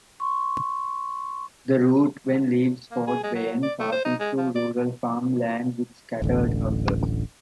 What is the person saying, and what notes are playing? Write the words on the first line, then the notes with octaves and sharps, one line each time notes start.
The route then leaves Fort Wayne, passing through rural farm land with scattered houses.
C6 C#6
A#3
G#4
G#3
F#3
D5
A3
C5
D#4
G#3
F3
D5
D1 A1 D3